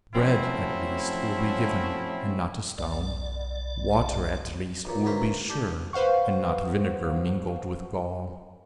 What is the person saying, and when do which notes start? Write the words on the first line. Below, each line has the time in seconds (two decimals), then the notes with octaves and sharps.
Bread, at least, will be given, and not a stone; water, at least, will be sure, and not vinegar mingled with gall.
0.15 F3 F#3 A3 C4 C#4 E4
2.78 B1 D5
4.85 B1 A#2
5.05 D2 F#3 A#3 C4 B4 F5
5.50 D4 G4 G5
5.93 B4 C5 F5 F#5 C#6